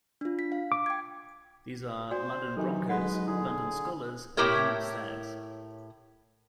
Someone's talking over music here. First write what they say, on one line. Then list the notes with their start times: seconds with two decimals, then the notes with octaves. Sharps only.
These are, London Broncos, London Skolars and Hemel Stags.
0.21 D4 F4
0.39 B6
0.52 F5
0.72 D6
0.86 G5 G#6
2.11 F#4 C5 D5 G#5
2.57 C3 D#3 E3 F#3 D#4 A4
2.89 G#3 B4 F#5
3.27 D3 E4 G#4
4.37 A2 E4 G4 A#4 C#5